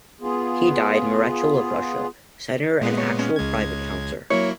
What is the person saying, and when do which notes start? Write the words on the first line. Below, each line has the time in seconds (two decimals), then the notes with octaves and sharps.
He died Marechal of Russia, senator and actual private counsellor.
0.21 B3 F4 G#4
2.81 A#2 G#3 B3
2.98 C#5
3.19 C#4
3.36 C#2 G#3 G#6
4.30 F#3 A#3 E4 C#5